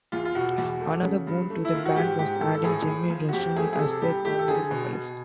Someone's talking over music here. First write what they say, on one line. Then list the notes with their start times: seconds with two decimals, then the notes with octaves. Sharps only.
Another boon to the band was adding Jimmy Rushing as their primary vocalist.
0.12 E2 F4
0.25 F4
0.35 B2 F#4
0.58 E2
0.81 A3
1.04 C#3
1.27 G2
1.50 A3
1.65 E4
1.73 D#3 F4
1.86 F#4
1.96 G#2 G4
2.19 G#2 G4
2.41 E3 A4
2.55 A4
2.64 A2 G#4
2.88 A2
3.10 F3
3.29 F#4
3.33 F2 G4
3.56 A3 G#4
3.73 G#4
3.79 C3 A4
4.02 G2 G4
4.25 A3 G4
4.39 A4
4.48 D3 G#4
4.71 B2
4.93 B2